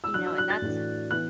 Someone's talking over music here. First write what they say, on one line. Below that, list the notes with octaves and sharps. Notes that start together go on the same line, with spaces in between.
you know, and that's
E6
F#3 D4 F#4 F#6
E6
F#6
A6
A2 E3 D4 F#4
E3 B3 E4 F#6